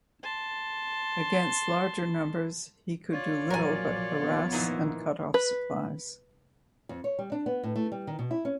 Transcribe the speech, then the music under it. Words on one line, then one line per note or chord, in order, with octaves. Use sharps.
Against larger numbers he could do little but harass and cut off supplies.
A5 C6
F4 C#5 D5
A#2 F3 F#3 A#4 G#5
F3 B3
A#2 D#3 E3
B4
F2
C#5
G3
D4
B3
A2
A3
G3
D#3
B2
E4
C#4